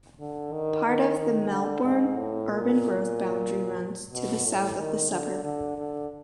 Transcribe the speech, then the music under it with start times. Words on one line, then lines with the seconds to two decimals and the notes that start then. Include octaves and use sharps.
Part of the Melbourne Urban Growth Boundary runs to the south of the suburb.
0.20 D3
0.52 D#3
0.86 D#3
1.18 D#3
1.51 D3
1.84 G#2
2.17 A2
2.49 A#2
4.13 B2
4.45 A2
4.78 D#3
5.11 D3
5.44 D3
5.77 D3